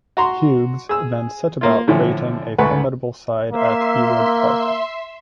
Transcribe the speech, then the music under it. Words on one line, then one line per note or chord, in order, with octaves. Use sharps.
Hughes then set about creating a formidable side at Ewood Park.
F#4 A#5 C6
G#4 E6
A#3 F4
A2 D3 E3 F3
D2 G#2 A3 B4 F#5 C#6
A#3 E5 C6